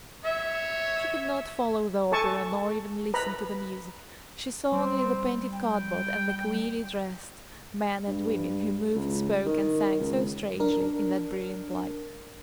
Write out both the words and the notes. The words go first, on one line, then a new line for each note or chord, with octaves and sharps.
She could not follow the opera nor even listen to the music; she saw only the painted cardboard and the queerly dressed men and women who moved, spoke, and sang so strangely in that brilliant light.
C#5 E5
A4 G#5 A5 C#6
B4 A#5 B5
G3 C4
G5
G2
C#2
D#3
C#2
D4 A#4